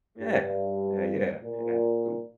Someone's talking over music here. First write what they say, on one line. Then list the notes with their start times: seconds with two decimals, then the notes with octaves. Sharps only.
Yeah. Yeah, yeah. Yeah. Absolute
0.19 G2
1.44 A#2